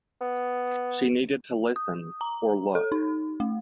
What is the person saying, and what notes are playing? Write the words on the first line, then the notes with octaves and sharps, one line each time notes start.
She needed to listen "or" look.
B3
D#6
A#5
A4
D#4
A3